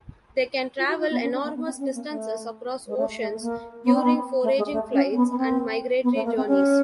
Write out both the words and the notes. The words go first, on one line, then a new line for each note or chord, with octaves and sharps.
They can travel enormous distances across oceans during foraging flights and migratory journeys.
F4
F#4
F4
B3
C#4
D4
A#3
B3
C4
C#4
A#3
A3
G#3
A3
A3
A#3
B3
C4
B3
A3
G#3
A3
C#4
C4
B3
B3
C4
B3
A3
A#3
C4
C#4